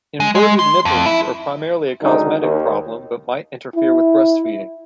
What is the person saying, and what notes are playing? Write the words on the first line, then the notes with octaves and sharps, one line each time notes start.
Inverted nipples are primarily a cosmetic problem but might interfere with breastfeeding.
G#3
G#3
C6
F2
E4
F#2 D3 D#3 G#3 D#4
D#2
E4